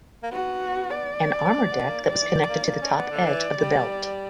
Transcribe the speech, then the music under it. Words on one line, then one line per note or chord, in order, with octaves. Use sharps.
An armor deck that was connected to the top edge of the belt.
A#3
B3 F#4
D5
D4
B3
A#3
G3 D5
E3
F#3
A#3
A#3 D5
C#4
B3
D3
E3
G3